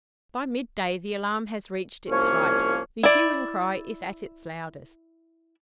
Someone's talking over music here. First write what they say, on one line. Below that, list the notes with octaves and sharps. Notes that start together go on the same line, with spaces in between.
By midday the alarm has reached its height--the hue and cry is at its loudest.
C2 F3 A#3 C#4 C#5
E4 D5